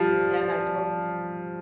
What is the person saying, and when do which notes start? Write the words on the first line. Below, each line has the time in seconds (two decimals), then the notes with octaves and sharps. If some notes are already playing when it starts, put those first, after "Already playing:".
and I suppose
Already playing: F3 G3